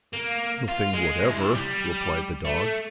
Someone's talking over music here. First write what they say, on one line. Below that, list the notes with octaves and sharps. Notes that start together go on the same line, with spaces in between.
"Nothing whatever," replied the dog.
A#3
F4
G#3
C3 E4
G3
A3